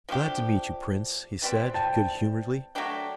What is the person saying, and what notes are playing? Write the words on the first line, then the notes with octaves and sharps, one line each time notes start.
"Glad to meet you, Prince," he said, good humouredly.
F3 A3 D4 G4
E3 G3 C4
G5 A5
F#3 A3 D4 G4